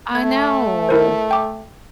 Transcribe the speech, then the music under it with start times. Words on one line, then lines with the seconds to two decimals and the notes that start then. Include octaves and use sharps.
I know.
0.15 A3 G#6
0.89 E4 A#4 C5
1.31 G5 D6